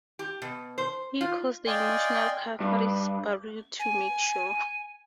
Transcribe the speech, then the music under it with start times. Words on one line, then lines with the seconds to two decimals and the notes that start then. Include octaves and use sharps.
He calls the Emotional Catharsis Bureau to make sure.
0.19 G4
0.42 B2
0.78 C5
1.21 F4
1.67 D5 D#5 F5 G5 G#5 C6
2.60 G2
3.79 G#5